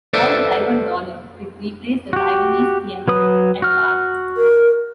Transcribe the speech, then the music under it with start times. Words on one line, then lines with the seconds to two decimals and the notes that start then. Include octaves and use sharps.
Called the "Taiwan dollar", it replaced the Taiwanese yen at par.
0.13 A4 B4 C5 D5 E5
2.13 F#4 G4
3.08 F#3 B4 D#6
3.62 F#4 F6
4.37 A#4